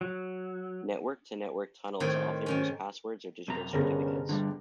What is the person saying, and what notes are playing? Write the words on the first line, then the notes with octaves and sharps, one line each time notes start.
Network-to-network tunnels often use passwords or digital certificates.
F#3
A2 D#3 C4 C#5
G#2 D#3 C#4
F#2 C3 A#5
G1 C3 C#4 G#4 A#4 A#6
D3 F3 G3